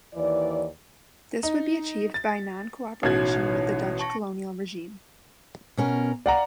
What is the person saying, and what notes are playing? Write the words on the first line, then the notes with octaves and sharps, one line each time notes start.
This would be achieved by non-cooperation with the Dutch colonial regime.
D#2 E3 D5
D#4
A6
A1 B2 D#4 C#5 G#6
A5 C#6 A#6
B2 C#4 A#4
D5 F5 F#5 A#5